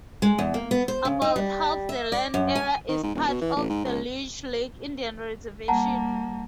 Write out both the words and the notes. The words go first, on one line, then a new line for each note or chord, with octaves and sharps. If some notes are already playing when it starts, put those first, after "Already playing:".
About half the land area is part of the Leech Lake Indian Reservation.
G#3
E2
A#3
B3
C5
C#3
D#4
G3
E5
D5
F#2
G#5
D#3
G#2
E1
B2
E3
A1
G#2
C#2
G3 A#3 F#5 A5 A#5